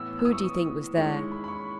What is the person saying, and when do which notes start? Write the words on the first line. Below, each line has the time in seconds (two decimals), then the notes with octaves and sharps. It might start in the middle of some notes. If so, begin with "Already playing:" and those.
"Who do you think was there?"
Already playing: A2 E3 B3 E6
0.19 E6
0.25 D#6
0.32 C#6
0.40 D#6
0.97 D#3 G#3 C#4 E4 C#6
1.32 B5
1.44 B5
1.48 C#6